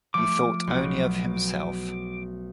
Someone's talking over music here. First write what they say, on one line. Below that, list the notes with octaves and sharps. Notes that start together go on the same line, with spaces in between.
He thought only of himself.
F3 A3 D6
B1 F#4